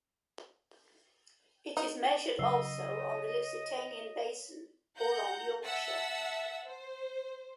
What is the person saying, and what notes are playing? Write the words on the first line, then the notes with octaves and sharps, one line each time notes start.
It is measured also on the Lusitanian Basin or on Yorkshire.
D#4
C#3 F#3 D#5 E6 C7 G7
C#5
F#5 A#5 G6
E5 F#5 A5 E6
C5